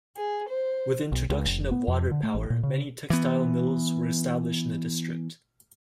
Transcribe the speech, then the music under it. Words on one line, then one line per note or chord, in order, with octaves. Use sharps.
With the introduction of water power, many textile mills were established in the district.
G#4
C5
B1
C#2
F1
B3
F2
D3
A3
A1
A#2
C#3
E3 B3